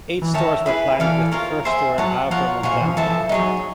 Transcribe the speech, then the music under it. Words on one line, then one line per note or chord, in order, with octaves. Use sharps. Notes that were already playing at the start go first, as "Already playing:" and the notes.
Eight stores were planned with the first store in Havre, Montana.
E3
D#3 A#4 C#5 E5 A5
E4 G#4 B4
E3 A4 D5 F5 G#5
F4 A#4 C#5
C5 E5 G#5 C6
F#3 C#5 F#5 A5
F3 F4 A#4 C#5 F#5
B2 C5 F5 G#5 C#6
A#2
E3
F3
E3 A4 C5 E5 A5
E3
F3
F#3 D#4 G#4 C#5